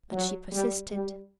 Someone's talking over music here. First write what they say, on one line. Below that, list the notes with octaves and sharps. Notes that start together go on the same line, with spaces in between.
But she persisted.
F#3
G3
G3